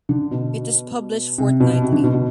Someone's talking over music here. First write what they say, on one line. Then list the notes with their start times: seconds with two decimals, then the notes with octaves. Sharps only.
It is published fortnightly.
0.09 D3
0.31 B2
1.38 C3
1.60 B2
1.82 C3
1.92 D3
2.04 B2
2.14 B2